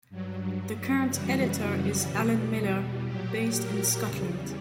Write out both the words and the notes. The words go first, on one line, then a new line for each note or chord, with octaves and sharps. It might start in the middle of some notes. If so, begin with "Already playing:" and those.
The current editor is Alan Millar, based in Scotland.
G2 F#3
F#2 C#3 E3 G3 F#4
E2 B2 G3
A#2 F#3 G4
A#4
E2 C#3 G3